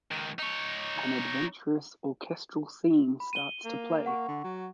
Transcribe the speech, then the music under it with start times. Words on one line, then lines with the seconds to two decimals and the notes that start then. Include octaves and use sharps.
An adventurous orchestral theme starts to play.
0.11 C#2 D#3
0.39 D#4 C#5
3.20 B5
3.33 D#7 G7
3.65 A#3
4.06 F#5 C#6
4.28 D3
4.44 F#3